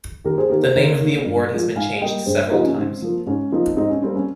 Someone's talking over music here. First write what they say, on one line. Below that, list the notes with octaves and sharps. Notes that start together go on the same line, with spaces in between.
The name of the award has been changed several times.
D#2 G4 A#4
G#4 C5
D#3 A#3 G4 A#4
G#4 C5
D#2 A#4 C#5
D#3 A#3
G2
F3 G#3
G#2 F5 G#5
G3 A#3 D#5 G5
G2 G#4 C5
F3 A#3 D#4 G4
C#4
G#2 C4
F3 A#3
G#2 C#4
F3 A#3 C4 D#4
G#2 C4 D#4
C#4
G3 A#3 C4
C#4